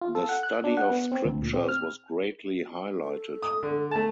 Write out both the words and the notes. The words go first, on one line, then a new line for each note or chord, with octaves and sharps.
The study of scriptures was greatly highlighted.
F4
A4
F#5
F#6
D4
F#5
B3
C4
D2
A#2
C4
F6
A4
D#6
D3
A3 A5